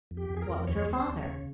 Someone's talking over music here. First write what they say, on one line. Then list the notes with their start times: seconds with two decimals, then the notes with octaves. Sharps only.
"What was her father?"
0.11 F2
0.17 G4
0.30 F2
0.37 G#4
0.42 A#4
0.49 F2
0.67 D#2 C#5
0.87 D#2
0.93 C5
1.05 D#2
1.17 C#5
1.24 C#3